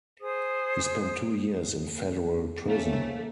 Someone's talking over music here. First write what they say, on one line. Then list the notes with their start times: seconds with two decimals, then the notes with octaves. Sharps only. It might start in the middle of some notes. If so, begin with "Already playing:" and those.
He spent two years in federal prison.
0.20 G#4 C5 D#6
2.68 D#3 F3 A3 A#3 C#4